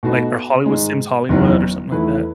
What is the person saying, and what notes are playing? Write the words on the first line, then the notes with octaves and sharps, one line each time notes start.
Like a Hollywood Sims Hollywood or something like that?
B2 A3 D#4 F#4 B4
G#2 D#3 G#3
F#1 E2 D#3 F#3 B3
E2 D#3 A3 E4 B4